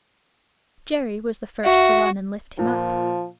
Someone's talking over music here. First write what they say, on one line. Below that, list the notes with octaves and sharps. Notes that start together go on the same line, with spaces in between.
Jerry was the first to run and lift him up.
F#4 E5
A#2 F3